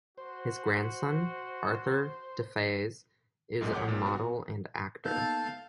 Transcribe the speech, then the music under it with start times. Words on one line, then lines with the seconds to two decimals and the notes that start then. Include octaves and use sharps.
His grandson, Arthur Defays, is a model and actor.
0.18 F#4 C5
3.61 B1 F#2 A#2 G#3
3.73 A#1 C#5 F#5 D6 G6
3.88 G#1 A#2
4.06 B3 F#4
5.05 A#3 B3 D#4 A4 F5 A5 G6